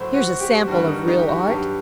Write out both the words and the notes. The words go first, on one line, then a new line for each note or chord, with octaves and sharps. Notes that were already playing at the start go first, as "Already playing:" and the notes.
'Here's a sample of real Art.
Already playing: A2 F#3 C5
F#4
G4
G2 D#3 G3 F#4
D#4
D#4
G4
F#4
G2 F#3 G4